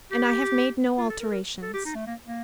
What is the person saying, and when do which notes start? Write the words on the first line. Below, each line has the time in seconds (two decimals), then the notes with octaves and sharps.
And I have made no alterations.
0.12 G4
0.98 F4
1.09 A4
1.20 A#4
1.31 A#4
1.62 A4
1.74 G4
1.85 D#4
1.95 A3
2.07 A#3
2.27 A#3